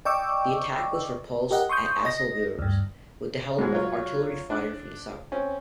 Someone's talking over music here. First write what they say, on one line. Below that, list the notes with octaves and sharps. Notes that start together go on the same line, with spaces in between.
The attack was repulsed at Assevillers, with the help of artillery-fire from the south.
D5 D#5 G5 C#6 D6 E6
G4 A#4 D#5 F#5
C6 C#6 D#6 G6
D#5 A#6
D2 G2
G#2 B2 G#3
F#3 F4 C#5
D4 F#6
C4 C#4